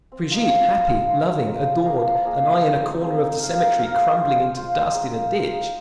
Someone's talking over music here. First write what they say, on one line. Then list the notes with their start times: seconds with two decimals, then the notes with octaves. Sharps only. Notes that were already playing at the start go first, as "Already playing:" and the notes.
Brigitte happy, loving, adored, and I in a corner of the cemetery, crumbling into dust in a ditch!
0.12 C4
0.31 F4 A#4 D#5
0.50 C4
0.70 F4 A#4 D#5
0.89 G#3
1.08 F4 A#4
1.28 G#3
1.47 F4 A#4
1.66 F3
1.86 A#3 G#4 D#5
2.05 F3
2.24 A#3 G#4 D#5
2.44 G#3
2.62 C4 G#4
2.83 G#3
3.01 C4 G#4
3.20 D#4
3.40 A#4 F5
3.60 D#4
3.79 A#4 F5
3.97 G#3
4.17 F4 C5
4.36 G#3
4.56 F4 C5
4.75 G#3
4.94 D#4 G#4 C5
5.14 G#3
5.33 D#4 G#4 C5
5.52 D#4